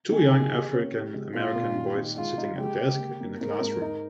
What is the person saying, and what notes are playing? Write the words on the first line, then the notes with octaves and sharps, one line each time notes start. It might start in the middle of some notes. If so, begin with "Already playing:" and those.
Two young African American boys sitting at a desk in a classroom.
D#3 G#4
C3
G4
C#4
G4
G#3
A#2 F4
A#2
D#3
D#3
G#3 F4
D#4
G#3 G4
G#3
A#3
A#3
G#2 A#4
G#2
D#4